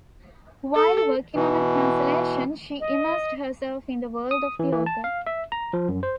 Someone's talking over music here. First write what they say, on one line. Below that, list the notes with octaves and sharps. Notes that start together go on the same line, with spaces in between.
While working on a translation, she immersed herself in the world of the author.
A4
B2 E3
D#5
D#6
E3
E3
A5
F5
E5
A#5
F3
F#2
C5